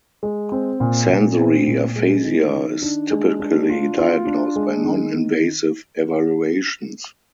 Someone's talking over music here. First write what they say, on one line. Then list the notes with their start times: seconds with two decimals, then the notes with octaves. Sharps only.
Sensory aphasia is typically diagnosed by non-invasive evaluations.
0.23 G#3
0.52 C4
0.80 A#2
1.10 A#2
1.38 C4
1.67 A#2
1.96 G#3
2.25 D#3
2.53 D#3
2.82 D4
3.10 G#3
3.40 D4
3.69 F4
3.98 F4
4.27 D4
4.56 G#3
4.84 D#3